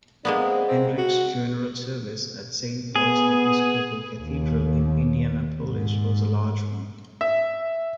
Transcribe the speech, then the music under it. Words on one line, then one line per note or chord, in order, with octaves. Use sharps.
Hendricks's funeral service at Saint Paul's Episcopal Cathedral in Indianapolis was a large one.
G#3 A#3 B3 D4
C4
C4
F#4
B3 G#4
D#2
G#2
E5